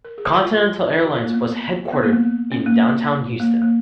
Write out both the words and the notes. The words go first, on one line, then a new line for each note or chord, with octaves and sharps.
Continental Airlines was headquartered in downtown Houston.
A#4
G#4
F#4
F4
F#4
F4
A#3
B3
B3
A#3
B3
C#4
A#3
A#3
A#3